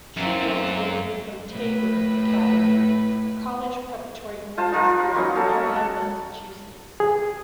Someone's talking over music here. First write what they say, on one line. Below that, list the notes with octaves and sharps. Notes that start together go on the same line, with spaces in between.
She graduated from Tabor Academy, a college-preparatory boarding school in Marion, Massachusetts.
F#2 A#3 C4
A2 B4
F4 C5 F5 A5
D#4 F4 A#4 F#5
B5
F#3 A#3 C#4 D#4
A#3 C#4 A4
F#5 A5
G#4